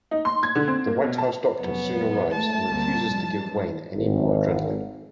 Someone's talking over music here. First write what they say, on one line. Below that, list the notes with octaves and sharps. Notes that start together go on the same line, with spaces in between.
The White House doctor soon arrives and refuses to give Wayne any more adrenaline.
D#4
C6
G#6
D3
C4
A#3
B2
A5
F1 F#3 B3 C#4
G#3
A3 A5
D2 G3 A#3 C4
F1 F3 G#3
F#2 E3 G#3
G#1